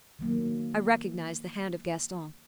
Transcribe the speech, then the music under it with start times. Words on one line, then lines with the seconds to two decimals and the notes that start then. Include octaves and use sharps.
I recognised the hand of Gaston.
0.19 D#3 F#3 A#3